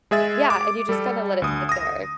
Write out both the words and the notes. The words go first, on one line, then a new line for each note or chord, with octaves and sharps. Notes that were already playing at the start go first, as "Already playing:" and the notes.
Yeah, and you just, kinda let it sit there.
G#3 G#4 E5 A6
D6
G3 A4
D2 D#6
D#6 A#6